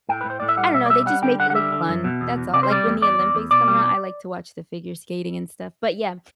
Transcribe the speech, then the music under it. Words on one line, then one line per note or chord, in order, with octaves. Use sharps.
I don't know, they just make it look fun, that's all, like when the Olympics come around, I like to watch the figure skating and stuff. But yeah,
A2 G5
B4
A2 C5
A2 D5
E5
G3 F#5
B2 E5
D5
G3 E5
G3 F#5
D3 G5
D3 F#5
F#5
G3 E5
D3
F#2
B2
E2
E2
C3 D5
C5
G3 D5
E2
E2 D5
E2
E2
B2 D5
G3